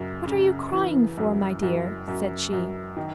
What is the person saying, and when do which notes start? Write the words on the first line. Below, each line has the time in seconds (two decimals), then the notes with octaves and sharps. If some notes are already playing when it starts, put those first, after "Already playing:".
'What are you crying for, my dear?' said she.
Already playing: F#2 C#3
0.27 C#3
0.72 E3
1.18 F#2
1.62 F#2
2.08 F#2
2.53 F#2
2.97 D#3